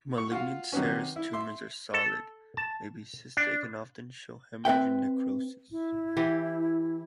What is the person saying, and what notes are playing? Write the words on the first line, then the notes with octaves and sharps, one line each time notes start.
"Malignant" serous tumours are solid, may be cystic and often show haemorrhage and necrosis.
C#6
F4 F#4 F5
C3 D#3 F#3 B3 C#4
E4
E5 C6
A4
A5
D4
C4 B4 E5 G5
E4
E3 G4